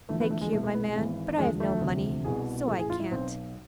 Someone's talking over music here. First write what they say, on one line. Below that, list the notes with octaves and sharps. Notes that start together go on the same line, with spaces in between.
"Thank you, my man; but I have no money; so I can't."
E1 E2 D3 F3 A3
B3
A3
G#3
C2 B2 A3
A3
B3
G#3
G#1 G#2 E3
E1 D2 D3 F3 G#3
A3
E1 D2 C3 F3
C2 B2 G#4
A1 A2 E3 A4
G#4
F4
E4
B1 B2 C4